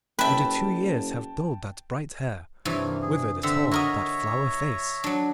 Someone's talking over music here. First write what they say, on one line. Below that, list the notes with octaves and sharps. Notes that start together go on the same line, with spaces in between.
Would the two years have dulled that bright hair, withered at all that flower-face?
F#1 B4 E5 G5 A5
G2 C3 E3 C#5
A#3
G#4
D3 C4 E5 E6
F#4 A#4 C#5 D#5 E5 A#5
F#3 D4